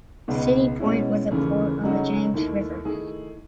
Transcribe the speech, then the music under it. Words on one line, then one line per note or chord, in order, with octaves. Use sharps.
City Point was a port on the James River.
C#2 B2 G#3 B3 D#4
B2 G#3 C#4 E4
D#2 C#3 E3 A3
C#3 F#3 A3 D#4 F#4
D#2 D#3 A3 E4
D#3 A3 E4 G#4